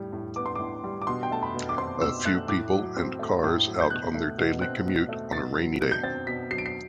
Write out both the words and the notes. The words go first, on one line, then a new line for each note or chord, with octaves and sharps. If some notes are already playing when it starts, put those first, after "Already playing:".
A few people and cars out on their daily commute on a rainy day.
Already playing: A2 G3
A2
B3 D6
C6
A2 D6
G3
D6
B2 C6
G5
A3 A5
B5
B2
D6
C4 C6
B2 E6
A3 F#6
A2 D6
F#3
C4
A3
A2
F#3
G6
B2 F#6
A3
B2
C4 F#6
B2
A3
B2 A6
F#3
B2
G6
C4 A6
B2 B6
F#3 C7
D7
C7